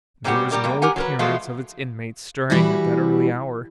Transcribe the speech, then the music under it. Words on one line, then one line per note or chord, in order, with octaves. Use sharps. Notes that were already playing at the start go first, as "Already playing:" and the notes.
There was no appearance of its inmates stirring at that early hour.
A#2 G3 C4 F#4 G4 F#5
G3 G4 A#4 D5
F2 G3 A#3
G4 A#4 F#5 G#5
F#3 A#4 B4
E3 F3 G#3 A3 F4 F#4
E3 G3 E4 F#4